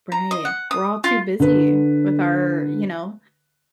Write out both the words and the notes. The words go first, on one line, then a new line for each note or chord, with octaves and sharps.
Right. We're all too busy with our, you know,
A#5
D#5
F#5
D#6
F4
D3 B4